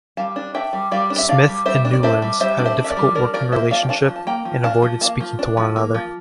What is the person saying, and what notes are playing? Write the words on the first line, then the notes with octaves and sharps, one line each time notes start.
Smith and Newlands had a difficult working relationship and avoided speaking to one another.
G3 F5 A5
D4
D4 E5 G5
G3
G3 D5 F5
D4
E5
D4 D5 F5
G3
G3 C5 E5
D4
D5
D4 C5 E5
G3
G3 C5 E5
D4
C5 E5
D4
E5
A#4 D5
G3
D4 A#4 D5
F3 A#4 D5
A#3 C5 E5
F3 D5 F5
G5
D4 F5 A5
F3
A5
A#3 G5 A#5
F3
D4 F5 A5
F3
A#3 F5 A5
F3
D4
F3
A#3
F3